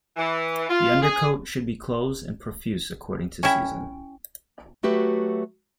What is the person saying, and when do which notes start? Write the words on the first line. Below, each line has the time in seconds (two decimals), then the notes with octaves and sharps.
The undercoat should be close and profuse according to season.
0.17 E3
0.69 F4
1.02 G#4
3.43 C#4 E4 G5 G#5
4.83 F#3 A3 F#4 G4 B4 E5